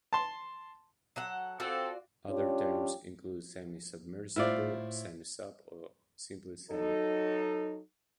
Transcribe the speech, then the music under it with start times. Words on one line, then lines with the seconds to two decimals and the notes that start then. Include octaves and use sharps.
Other terms include "semi-submersible", "semi-sub", or simply "semi".
0.13 A5 C6
1.16 F#3 A4 F#5
1.60 C4 F4 F#4 A4 D5
2.29 C#4 D4 F4 G4 C#5
4.36 A2 E4 F4 C5 D5
6.70 F#3 D#4 A4